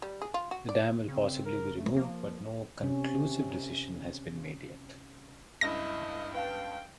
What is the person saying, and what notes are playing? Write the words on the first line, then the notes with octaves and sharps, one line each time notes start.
The dam will possibly be removed, but no conclusive decision has been made yet.
G3
G#4
F4
F#4
D5
C#3 C4
A#4
A3
F3 A#3
C3 C#4
G1 C#2 G2 E4 D#5 A#6
B4 F5 G5 A5